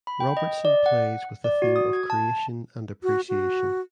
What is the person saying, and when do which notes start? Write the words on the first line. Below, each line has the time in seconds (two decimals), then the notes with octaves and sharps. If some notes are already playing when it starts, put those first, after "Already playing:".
Robertson plays with the theme of creation and appreciation.
0.07 B5
0.20 G5
0.37 D#5
0.65 D5
0.86 F#5
1.44 D5
1.62 F#4
1.76 D#6
1.93 G#6
2.10 A5
3.03 F#4
3.29 F#4